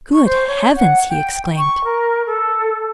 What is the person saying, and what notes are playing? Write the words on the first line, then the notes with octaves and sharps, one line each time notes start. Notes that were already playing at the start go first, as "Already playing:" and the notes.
"Good heavens!" he exclaimed.
C#6
C5
C#5
F#5
G5
C#6
A#4
A4